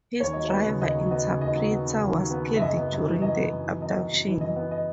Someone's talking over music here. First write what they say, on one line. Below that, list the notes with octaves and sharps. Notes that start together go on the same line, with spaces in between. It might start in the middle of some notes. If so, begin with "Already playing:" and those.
His driver-interpreter was killed during the abduction.
D#2 C#5
F#3 D#5
C#5
B3
C#3
D#2 D#5
F#3
B3 D#5
C#3
D#2 D#5
F#3
B3
C#3
D#2
F#3
B3
C#3
E5
F#2 D#5
B3
F#2
E3
F#2 D#5
B3
F#2
E3
F#2 D#5
B3
F#2
E3
F#2 D#5
B3
D#5